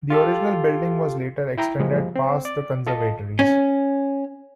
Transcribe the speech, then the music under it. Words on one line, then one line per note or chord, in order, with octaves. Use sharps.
The original building was later extended past the conservatories.
F4 G4 A4
E4 G5 A#5
F#2 A#2 C#3 F3 G3 G#3
C4
D5
F4 A4 D#5 A5
C#4